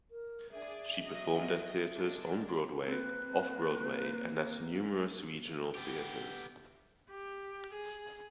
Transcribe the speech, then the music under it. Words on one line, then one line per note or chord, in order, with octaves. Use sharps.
She performed at theatres on Broadway, off-Broadway, and at numerous regional theatres.
A#4
D4 G#4 D5 E5
F#3 D#5
G#3 D4
A#3 C4 B4
B3 G4
G4
G#4